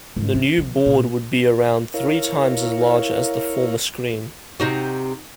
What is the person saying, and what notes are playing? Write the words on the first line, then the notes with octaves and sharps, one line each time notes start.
The new board would be around three times as large as the former screen.
G#2
E3 C#4
D3 F3
A#2
E4 A#4 C#5 F5
C3 D#4 F#4